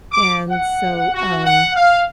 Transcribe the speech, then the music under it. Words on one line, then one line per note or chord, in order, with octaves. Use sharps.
and so, um,
D6
F#5
F#4
F#5
F5